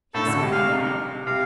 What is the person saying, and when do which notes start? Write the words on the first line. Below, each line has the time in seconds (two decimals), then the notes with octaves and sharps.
He sprang again.
0.14 A2 A3 A4
0.27 D2 D3
0.40 C3
0.52 F5
1.27 C3 F5